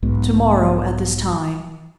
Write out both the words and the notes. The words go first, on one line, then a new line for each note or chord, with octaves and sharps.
"To-morrow, at this time."
B1 G#2 B2